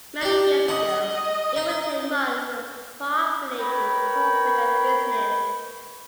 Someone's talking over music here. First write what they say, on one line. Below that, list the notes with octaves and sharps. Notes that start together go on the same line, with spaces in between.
Many years ago, it would take months to properly incorporate a business.
D4 G4
D#5 F#5
D#4
A#4 B4 C#5 G5 B5